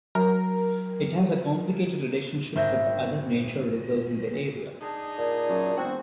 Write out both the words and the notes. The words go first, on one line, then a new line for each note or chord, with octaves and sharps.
It has a complicated relationship with other nature reserves in the area.
F#3 A#4
G#1 E5 G5 E6 A#6
D4 D#4 G#4
A#2
F#2
E1 C4 F#4